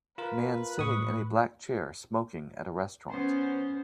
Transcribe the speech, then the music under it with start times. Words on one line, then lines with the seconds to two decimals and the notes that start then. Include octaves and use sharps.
Man sitting in a black chair smoking at a restaurant.
0.18 F4 A#4 B4
0.79 A2 C#6 D#6
3.10 B3 C#4 C5